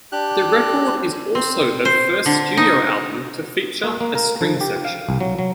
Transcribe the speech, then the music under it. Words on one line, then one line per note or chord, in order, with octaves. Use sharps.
The record is also her first studio album to feature a string section.
D4 G4 F#6
C4
C5
D3
D#4
A#3
A#3
A#4
F3
G4
F5
C2
F#3
F#3